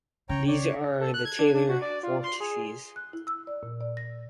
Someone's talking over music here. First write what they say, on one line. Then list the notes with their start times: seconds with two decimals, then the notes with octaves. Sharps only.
These are the Taylor vortices.
0.29 C#3 C#5 G5 A#5
0.48 C#5 D5
1.01 A4
1.14 F#6
1.25 G#6
1.39 D4
1.54 D4
1.69 F#4
1.82 D5
2.03 F4
2.24 C6
2.40 G#4
2.96 F#6
3.13 E4
3.27 E6
3.47 D5
3.63 A#2
3.81 D5
3.97 A#6